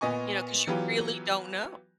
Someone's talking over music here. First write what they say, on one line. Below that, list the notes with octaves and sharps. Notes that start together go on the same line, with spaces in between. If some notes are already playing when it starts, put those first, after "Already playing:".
You know, 'cause you really don't know.
A#2 B3 D#5 G#5 C#6
E3 F#3 B3 F4 G4 B4